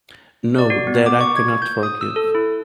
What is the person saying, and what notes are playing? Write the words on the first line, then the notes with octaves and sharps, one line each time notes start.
No, that I cannot forgive.
D5
F#4
B3
D6
C#6
G#6
G6
D#6
E6
A4
E4